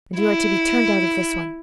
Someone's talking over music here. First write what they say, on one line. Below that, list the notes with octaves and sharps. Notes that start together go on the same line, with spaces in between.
"And you are to be turned out of this one."
E4